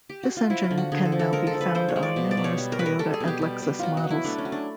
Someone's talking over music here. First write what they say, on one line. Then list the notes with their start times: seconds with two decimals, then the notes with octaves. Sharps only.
This engine can now be found on numerous Toyota and Lexus models.
0.09 G4
0.23 F#4
0.37 F4
0.50 F3 E4
0.64 F4
0.71 D3
0.78 F#4
0.92 D3 G#4
1.05 A4
1.12 F3
1.19 A4
1.33 G#3 A#4
1.47 A4
1.54 F3
1.61 B4
1.75 F3 C5
1.89 C#5
1.96 G#3
2.03 D5
2.16 B2
2.31 D5
2.37 B2
2.44 C#5
2.58 G3
2.72 A#4
2.79 G3 B4
2.86 A#4
2.99 G3 A4
3.14 G#4
3.20 B2
3.28 G4
3.42 G3
3.62 B2
3.79 F#3 F4 F#4
3.97 F#4
4.04 F#3
4.10 E4
4.24 A3 D4
4.38 C#4
4.45 F#3
4.52 D4